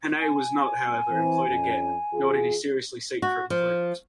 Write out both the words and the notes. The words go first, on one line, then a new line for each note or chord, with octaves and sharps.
Hannay was not, however, employed again, nor did he seriously seek for employment.
G#5
E3 C4
F2 C#4
E2 F4 G#4
F#4
F3